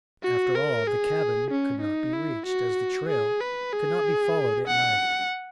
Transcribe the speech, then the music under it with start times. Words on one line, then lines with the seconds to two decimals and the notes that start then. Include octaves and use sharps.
After all, the cabin could not be reached, as the trail could not be followed at night.
0.23 F#4
0.55 A#4
0.87 G#4
1.51 C#4
1.82 D#4
2.13 E4
2.46 F#4
3.09 G#4
3.41 B4
3.72 G#4
4.68 F#5